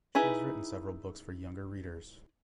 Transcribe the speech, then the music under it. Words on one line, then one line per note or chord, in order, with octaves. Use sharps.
She has written several books for younger readers.
D#4 E4 G#4 B4